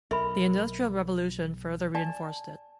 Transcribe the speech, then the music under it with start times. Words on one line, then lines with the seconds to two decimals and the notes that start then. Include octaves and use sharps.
The industrial revolution further reinforced it.
0.11 B1 A#4 E5 B5
1.95 D5 G#5 A5